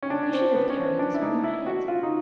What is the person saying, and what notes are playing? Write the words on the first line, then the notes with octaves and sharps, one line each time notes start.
You should have carried it on your head.'
C#4
D4
C#4
C4
B3
C#4
C4
D4
E4
D#4
E4
F#4
F4
D#4